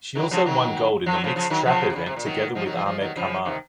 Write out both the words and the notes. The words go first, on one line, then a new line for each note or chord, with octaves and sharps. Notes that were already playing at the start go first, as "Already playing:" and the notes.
She also won gold in the mixed trap event together with Ahmed Kamar.
D#3 F#3
C#3 F3
D#3 F#3
F3
F#3
C#3 F3
C#3 F3
D#3 F#3
C#3 F3
C3
C#3
C3
A#2
D#3 F#3
F3 G#3
D#3 F#3
F3 G#3
F3 G#3
D#3 F#3
C#3 F3
C3 D#3